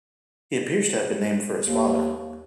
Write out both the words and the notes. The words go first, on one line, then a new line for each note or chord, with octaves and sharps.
He appears to have been named for his father.
D#2